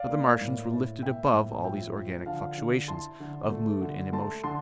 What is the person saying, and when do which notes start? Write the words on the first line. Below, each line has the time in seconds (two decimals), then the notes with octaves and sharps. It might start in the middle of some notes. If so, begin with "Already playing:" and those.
But the Martians were lifted above all these organic fluctuations of mood and emotion.
Already playing: D5 F5
0.09 A#3
0.41 A2
0.71 E4
1.02 A#3 E5 G5
1.33 A2
1.64 F3 E5 G5
1.95 F3
2.26 D3 F5 A5
2.57 D3
2.88 E4 A5 C6
3.20 D3
3.50 A3
3.81 D3
4.12 A3 A5 C6
4.43 D3 A5 C6